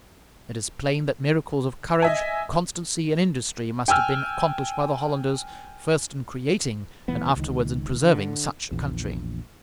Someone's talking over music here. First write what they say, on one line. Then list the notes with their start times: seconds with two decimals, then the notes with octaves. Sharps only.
It is plain that miracles of courage, constancy, and industry must have been accomplished by the Hollanders, first in creating and afterwards in preserving such a country.
2.02 D#5 E5 G#5
3.88 G5 G#5 E6 F6
7.08 D#1 E3 B3
7.36 C#2 D#3
8.04 D3
8.71 A#1 E2